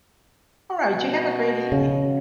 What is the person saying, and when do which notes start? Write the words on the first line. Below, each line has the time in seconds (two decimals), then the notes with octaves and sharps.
All right, you have a great evening.
0.86 B2
1.72 C#3